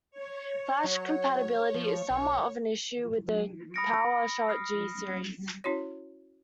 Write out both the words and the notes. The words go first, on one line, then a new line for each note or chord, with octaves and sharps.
Flash compatibility is somewhat of an issue with the Powershot G series.
C#5
F#3
F3
B1
B5 D#6 F6 A#6 C#7 D7
B5 D#6 F6 C7
C#4 E4 F#4 C#5